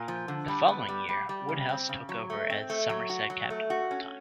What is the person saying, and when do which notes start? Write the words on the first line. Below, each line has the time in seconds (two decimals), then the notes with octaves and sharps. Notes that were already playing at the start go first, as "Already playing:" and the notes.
The following year, Woodhouse took over as Somerset captain full-time.
Already playing: A#2
0.08 F3
0.28 D3
0.48 G3
0.68 B3
0.89 G3
1.09 G3
1.29 G3
1.49 C#3
1.69 C4
1.89 C#3
2.09 F#3
2.30 A3
2.50 C4
2.70 A3
2.89 F#3
3.09 F#4
3.30 F#3
3.50 A3
3.70 F#4
3.91 C#4